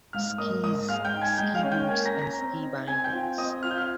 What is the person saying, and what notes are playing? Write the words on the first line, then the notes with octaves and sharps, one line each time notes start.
Skis, Ski Boots and Ski Bindings.
G#2 F5 F6
A#3 D#5 D#6
G#2 D#5 D#6
G#3 F5 F6
G5 G6
D#4
G#5 G#6
G#3 G5 G6
F5 F6
C#4
G5 G6
A#3 G#5 G#6
A#5 A#6
C#4
A#5 A#6
C4
D#4
C4 G#5 G#6
G5 G6
F4
C4 D#5 D#6
F4 F6
G6
F5 F6